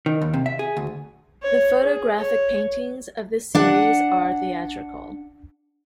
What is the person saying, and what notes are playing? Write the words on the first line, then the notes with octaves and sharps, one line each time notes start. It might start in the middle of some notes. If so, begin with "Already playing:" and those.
'The photographic 'paintings' of this series are theatrical.
D#3
D#2
C3
E5
G#4
D2
C#5
G#4
C#5
D4 F#5